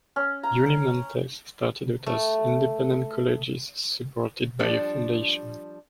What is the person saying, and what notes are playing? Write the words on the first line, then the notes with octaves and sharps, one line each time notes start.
Unimontes started out as independent colleges, supported by a foundation.
C#4
A#5
A3
F3 G3 D4